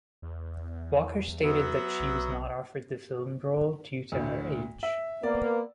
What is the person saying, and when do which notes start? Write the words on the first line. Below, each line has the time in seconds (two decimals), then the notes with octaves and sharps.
Walker stated that she was not offered the film role due to her age.
0.22 E2
1.42 F#3 B3 E5
2.00 B1
4.12 D2 A2 D3
4.83 E5
5.23 A#3 B3 D5